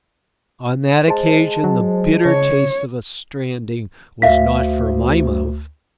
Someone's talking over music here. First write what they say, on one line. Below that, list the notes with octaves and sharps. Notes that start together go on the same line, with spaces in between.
On that occasion the bitter taste of a stranding was not for my mouth.
G#3 C5 A5
F#3
C#3 C#5
D2 E5 F5 B6